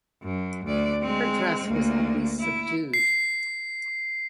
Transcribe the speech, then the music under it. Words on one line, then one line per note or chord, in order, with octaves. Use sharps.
Her dress was always subdued.
F#2
D2 D5
G#3 C4
D2 A#3
E4
C7